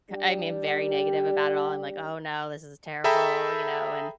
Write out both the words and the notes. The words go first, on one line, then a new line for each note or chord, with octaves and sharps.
I mean, very negative about it all. I'm like, "Oh, no. This is terrible," you know? And,
G3 D4 G4
G#4 A4 E5 G5 A#5 B5